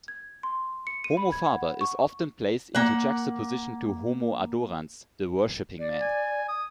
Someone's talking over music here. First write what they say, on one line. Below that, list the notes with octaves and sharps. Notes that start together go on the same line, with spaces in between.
"Homo faber" is often placed in juxtaposition to "homo adorans", the worshiping man.
G#6
C6
C#7
D#7
B5
G#6
F#5
C#6
A#3 F#5
D5
G#5
D#6